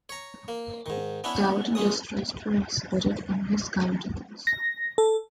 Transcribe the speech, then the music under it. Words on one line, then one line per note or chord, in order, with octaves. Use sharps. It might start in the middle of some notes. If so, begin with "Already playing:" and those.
Doubt and distrust were exhibited in his countenance.
C#5 A#5
A#3
G#2 D#3
B3 C#4 D4 E4
C#2 G#3 C#4 D#6
A#6
A4